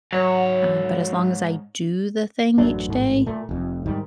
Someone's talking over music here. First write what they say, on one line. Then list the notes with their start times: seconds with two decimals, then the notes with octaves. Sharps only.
Uh, but as long as I do the thing each day,
0.13 G#2 F#3 C#5
2.58 A1 F#2 F#3 D4
2.88 A1 G#2
3.26 A#2 A3
3.49 F1 F2
3.86 G#2 D#3 G3